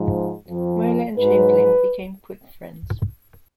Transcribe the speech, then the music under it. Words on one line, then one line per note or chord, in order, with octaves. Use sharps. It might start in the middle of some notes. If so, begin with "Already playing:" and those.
Mohler and Chamberlin became quick friends.
Already playing: G#2 F3
F2 F3
G#2 F#3 B4